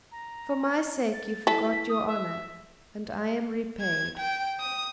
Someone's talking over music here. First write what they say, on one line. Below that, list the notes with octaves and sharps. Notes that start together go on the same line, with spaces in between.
For my sake you forgot your honour, and I am repaid.
A#5
A6
E3 A4 B6
D#6
E5
G#6
G5
D#6